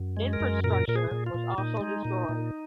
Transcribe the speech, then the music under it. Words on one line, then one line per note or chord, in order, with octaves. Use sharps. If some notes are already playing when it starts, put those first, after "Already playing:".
Infrastructure was also destroyed.
Already playing: F#2
G#3
A#4
F#2
A#2 A#4
A#2 A#4
G#4
A#2
F4
A#2
A#2 D#4
G#3
A#2
A#2